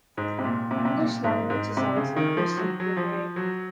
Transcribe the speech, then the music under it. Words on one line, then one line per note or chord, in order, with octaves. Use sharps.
English language is also used in Brunei.
G#2
C3
A#2
C3
A#2
C3
A#2
G#2
G#2
C3
C#3
D#3
F3
F#3
F#3
F3
F#3